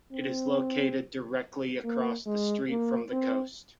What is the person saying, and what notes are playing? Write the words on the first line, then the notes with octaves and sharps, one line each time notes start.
It is located directly across the street from the coast.
C4
A#3
G#3
A#3
C4